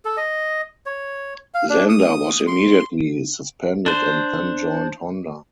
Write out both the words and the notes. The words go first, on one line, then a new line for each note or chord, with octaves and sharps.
Zander was immediately suspended and then joined Honda.
A4
D#5
C#5
F5
D4
D#6
C6
D4 C5